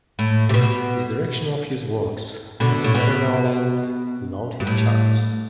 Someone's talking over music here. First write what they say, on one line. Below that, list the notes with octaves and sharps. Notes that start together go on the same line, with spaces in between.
His direction of his works was better known and loved his charts.
A2
C3
B2
B2 D3
A2
B2
G2
A2